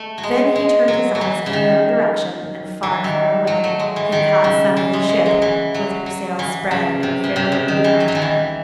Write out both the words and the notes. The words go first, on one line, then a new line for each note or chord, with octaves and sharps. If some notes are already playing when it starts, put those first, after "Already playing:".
Then he turned his eyes in the other direction, and, far, far away, he caught sight of the ship with her sails spread, and a fair wind behind her.
Already playing: A3
F#3
G#3
G#3
F#3
F#3
E3
C#3
D#3
E3
D#3
F#3
A3
G#3
E3
D#3
C#3
E3
G#3
G#3
F#3
E3
F#3
F#3
E3
C#3
C3
C#3
C3
C#3
D#3
E3
F#3
E3
D#3
E3